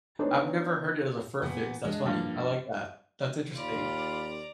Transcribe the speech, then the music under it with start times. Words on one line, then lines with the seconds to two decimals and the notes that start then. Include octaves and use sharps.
I've never heard it as a fur fix, that's funny, I like that, that's interesting.
0.19 B3 D4 D#4 C5 C#5
1.42 A#2 B3
1.85 G#3 D4
2.06 G2 F3 A#3
3.55 D#2 F4 D5 A#5 B5